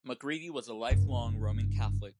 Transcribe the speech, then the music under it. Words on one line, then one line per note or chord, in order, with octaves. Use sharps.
MacGreevy was a lifelong Roman Catholic.
F#1 G2